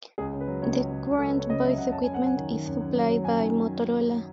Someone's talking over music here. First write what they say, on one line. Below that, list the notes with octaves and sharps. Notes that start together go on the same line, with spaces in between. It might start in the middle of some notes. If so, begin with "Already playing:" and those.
The current voice equipment is supplied by Motorola.
C#2 G#4
C#3
B4
F#3
C#2 C#5
C#2
C#2
C#2
C#2 A4
B4
C#2 C#5
C#3 D#5
F#3 E5
C#3 F#5
F#2 A5
G#5
F#2
F#5
F#2 G#5
D#3
D#3
F#2
F#2
F#3
F#3
F#2 G#5
D#3